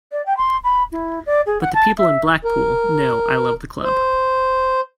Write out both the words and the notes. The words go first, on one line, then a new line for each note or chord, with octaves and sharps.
But the people in Blackpool know I love the club.
D5
G5
C6
B5
E4
D5
G#4
F#5
A5
E5
A#4
C5